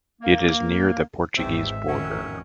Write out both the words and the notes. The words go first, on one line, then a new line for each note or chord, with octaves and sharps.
It is near the Portuguese border.
A#3
G#1 E2 G#3 C4 E5
A1 F2 D#3 C#4 F#4 A#4